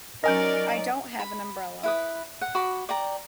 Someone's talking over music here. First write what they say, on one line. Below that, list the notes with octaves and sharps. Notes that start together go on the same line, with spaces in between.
I don’t have an umbrella.
F#3 C#4 D#4 A#4 D5 D#5 G#5 G6
B5
E4 B4 D#6
F#5
F#4 B5 D6
D5 G5 A#5